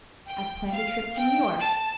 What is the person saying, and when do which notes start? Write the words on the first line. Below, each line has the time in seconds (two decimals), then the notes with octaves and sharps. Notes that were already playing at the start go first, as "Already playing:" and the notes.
"I've planned a trip to New York."
0.28 G5
0.73 F5
1.17 G5
1.61 A5